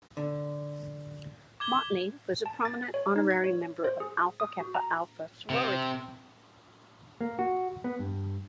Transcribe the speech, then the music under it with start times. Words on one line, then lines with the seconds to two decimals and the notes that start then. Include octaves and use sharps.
Motley was a prominent honorary member of Alpha Kappa Alpha sorority.
0.17 D3
1.60 D6 G#6 G7
2.46 A5
2.65 A6
2.94 C#5
3.16 D#4
3.31 G#6
3.44 C#5
3.84 C5
4.00 G#4
4.40 D#6
4.61 F#4
4.75 A#5
5.50 C3
7.21 A#3
7.39 F#4
7.84 B3
7.99 G2